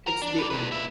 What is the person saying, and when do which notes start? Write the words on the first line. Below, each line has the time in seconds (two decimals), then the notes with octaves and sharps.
It's the end.
0.07 A#4
0.22 D4
0.39 B4 D5
0.50 G#3 B4
0.72 F4 E5